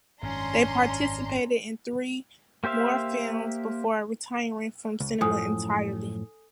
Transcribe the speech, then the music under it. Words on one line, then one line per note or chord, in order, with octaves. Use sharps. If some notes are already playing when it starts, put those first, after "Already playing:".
They participated in three more films before retiring from cinema entirely.
G#1 F#2 C#4 D4 A#5 C6
A#3 G4 C5 E5 F5
C#2
F#2 A2 F3 A4 G#5 D#6